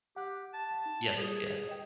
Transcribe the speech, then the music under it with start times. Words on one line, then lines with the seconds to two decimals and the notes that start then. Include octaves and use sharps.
Yes, yeah.
0.16 G4 F#5 F#6
0.54 A5
0.86 D#4
1.17 G3 G#4
1.69 D#5 G5